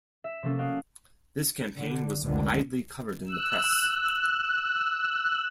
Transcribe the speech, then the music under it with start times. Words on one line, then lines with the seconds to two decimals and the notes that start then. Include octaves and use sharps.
This campaign was widely covered in the press.
0.24 E5
0.43 C3 F3 A3 A#3 C#4 A4
0.59 F#4 C#5 D#5 F5 G5 F#6
1.77 D3
2.23 F1 C#2 D3 D#3 G#3
3.25 E6 F#6